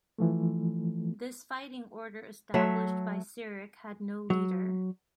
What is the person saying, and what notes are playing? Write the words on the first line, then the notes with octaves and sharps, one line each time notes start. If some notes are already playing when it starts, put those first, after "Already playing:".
This fighting order established by Cyric had no leader.
E3 F3 A3
F#3 A3 E5
F#3